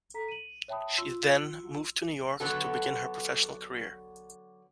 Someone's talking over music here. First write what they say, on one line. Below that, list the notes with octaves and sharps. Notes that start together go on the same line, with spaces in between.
She then moved to New York to begin her professional career.
A4 A#5 B6
D#7 F#7
C#5 E5 G5 A5 B5 D#6
F4 C6 E6
D3 F#3 B3 F#4 A4